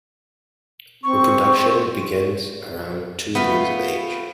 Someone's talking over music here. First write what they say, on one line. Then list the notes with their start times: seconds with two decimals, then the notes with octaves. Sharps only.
Reproduction begins around two years of age.
1.04 C4 C#6
3.35 A3 B3 C4 F4